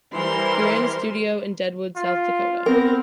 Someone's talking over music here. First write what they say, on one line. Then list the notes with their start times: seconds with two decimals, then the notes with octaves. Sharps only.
He ran a studio in Deadwood, South Dakota.
0.14 E3 G3 A#4 C5 C6
1.96 F4
2.66 B3 C4 A#4